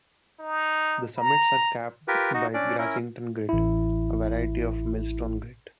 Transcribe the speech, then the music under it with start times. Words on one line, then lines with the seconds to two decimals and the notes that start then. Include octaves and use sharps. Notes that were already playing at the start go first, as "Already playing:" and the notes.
The summits are capped by Grassington Grit, a variety of Millstone Grit.
0.39 D#4
1.18 A#5
2.08 F4 G4 A#4 B4
2.34 D#4 F#4
2.54 C#4 D4 D5
2.78 C#4 E4 A#4
3.49 A1 E4